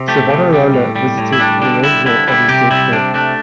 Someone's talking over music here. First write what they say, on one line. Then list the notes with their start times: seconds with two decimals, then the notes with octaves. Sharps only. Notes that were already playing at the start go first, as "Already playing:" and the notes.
Savonarola visited Lorenzo on his death bed.
Already playing: C3
0.08 A3 G4
0.30 C3
0.53 G3
0.74 A2
0.96 G3
1.18 A2
1.33 E4
1.39 G3 D4
1.62 D3 D4
1.83 G3 E4
2.05 D3 E4
2.27 G3 E4
2.48 C3 G4
2.71 G3 E4
2.92 C3 D4
3.14 A3 D4